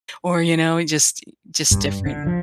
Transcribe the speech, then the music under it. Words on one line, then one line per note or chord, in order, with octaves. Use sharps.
or, you know, just i just different
G2
D3
F3